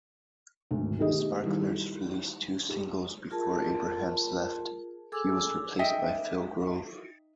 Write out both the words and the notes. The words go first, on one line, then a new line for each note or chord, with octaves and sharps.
The Sparklers released two singles before Abrahams left, he was replaced by Phil Grove.
G#1 D2
D#3 A3 B3 G4 G#4 D#5
D#3 G3 E4
G4 E7
F4 G#4 A#4 A5
G#4 A4 G#5 D6 E6
D#4 D#5 E5 G5